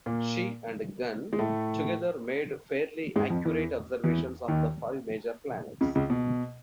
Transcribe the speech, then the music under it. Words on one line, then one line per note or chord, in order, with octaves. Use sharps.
Shi and Gan together made fairly accurate observations of the five major planets.
A#2 A#3
G#3
A2 A3
G#2 G#3
F2 F3
E2 E3
E2 E3
D#2 D#3
C#2 C#3
C#2 C#3
B2